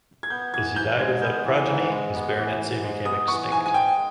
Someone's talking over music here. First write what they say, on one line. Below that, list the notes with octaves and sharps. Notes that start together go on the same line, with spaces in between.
As he died without progeny his baronetcy became extinct.
G#6
B3 G6
E3 G#6
G#2 G6
G#3 G#6
B3 G6
E3
G#2
G#3
B3
E3
G#2
G#3
B3 D#6
E3 C#6
G#2 G#5
G#5
G#3 G5